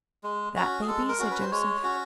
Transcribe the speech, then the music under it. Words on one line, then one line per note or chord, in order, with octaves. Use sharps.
"That they be," said Joseph.
G#3
C#4 F#4
G#4
G#3 A4
A#4
C#4 F#4
B4
C5
G#3 C#5
C#4 F#4